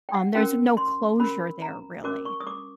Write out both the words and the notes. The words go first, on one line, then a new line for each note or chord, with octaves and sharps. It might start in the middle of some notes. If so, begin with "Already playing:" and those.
um, there's no closure there, really.
G5
F#5
C#4 F#4 A#4 G5
C6
C#4 F#4 A#4 B5
A#5
C#4 F#4 A#4 D6
C#6
D#6
D6